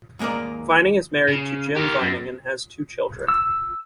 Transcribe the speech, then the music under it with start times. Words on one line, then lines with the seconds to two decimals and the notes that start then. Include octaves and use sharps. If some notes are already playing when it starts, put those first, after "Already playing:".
Vining is married to Jim Vining and has two children.
0.19 D#2 G#3 A#3 A#4 D5
1.28 C#3
1.77 G4 A#4
2.01 F#2
3.28 E6